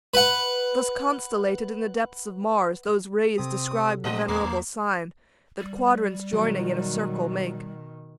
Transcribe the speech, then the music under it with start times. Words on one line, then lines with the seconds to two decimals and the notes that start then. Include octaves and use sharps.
Thus constellated in the depths of Mars, Those rays described the venerable sign That quadrants joining in a circle make.
0.14 B4 F#5
3.38 C3 C4 G4 A4 D#6
4.04 A#2 F#3 G#3 A3 C4 D4 D#5
4.28 E2 A3 D#6 G#6
4.43 E2 A#3
5.60 G3
6.33 B2 D#3 F#3